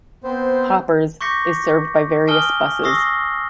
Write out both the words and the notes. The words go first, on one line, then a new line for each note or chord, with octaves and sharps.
Hoppers is served by various buses.
B3 C4 C5
C#6 D6 G6 A#6 B6 C#7
G#5 A5 D#6 F6 G7
C#6 D#6 E6 A#6 C7